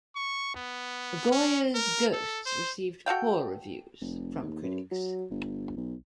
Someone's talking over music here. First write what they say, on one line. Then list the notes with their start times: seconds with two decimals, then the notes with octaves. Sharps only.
"Goya's Ghosts" received poor reviews from critics.
0.16 C#6
0.55 B3
1.31 C#4
1.75 A#4
2.13 A4
2.46 C5
3.06 F#4 A4 F5 G5
4.01 F1
4.42 D#2
4.63 F#2
4.91 F#3
5.30 G1
5.76 B1